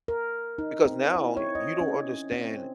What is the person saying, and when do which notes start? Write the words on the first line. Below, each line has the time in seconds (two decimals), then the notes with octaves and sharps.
Because now you don't understand
0.08 A#4
0.58 D#4
0.85 C4
1.15 E4
1.37 C#5
1.55 D#5
1.81 C#4
2.31 C4